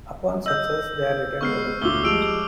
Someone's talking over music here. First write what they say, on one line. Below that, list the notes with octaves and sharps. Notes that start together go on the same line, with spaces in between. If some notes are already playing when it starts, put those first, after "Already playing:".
Upon success, they are returned to the present.
D#5 E6 G6
G#3 B3 C#6 F6 C7
D2 F4 D6 E6 G7
F3 G3 G#3 E6 D7 F7